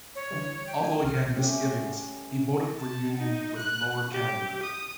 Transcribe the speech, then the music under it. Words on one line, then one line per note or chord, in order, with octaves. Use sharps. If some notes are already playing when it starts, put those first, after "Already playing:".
Although he had misgivings, he voted for union with Lower Canada.
C#5
D3 E3 G3
G5
F3 A3 D#4 G#5
C2 D#3 F6
A3 C#4 G4
A5
D#4
F#6
G4
D#6